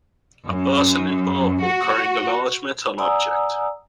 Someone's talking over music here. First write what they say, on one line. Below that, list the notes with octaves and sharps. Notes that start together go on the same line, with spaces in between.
A person in purple carrying a large metal object.
F#2
F#4
D5 F#5 G#5 A#5 D#6 E6